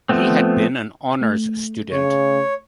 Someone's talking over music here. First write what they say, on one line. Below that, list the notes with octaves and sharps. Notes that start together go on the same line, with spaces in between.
He had been an honors student.
F3 A3 B3 C4
A3
C#3 C#5